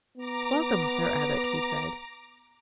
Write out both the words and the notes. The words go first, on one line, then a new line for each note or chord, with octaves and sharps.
"Welcome, Sir Abbot!" he said.
B3 A#5 D6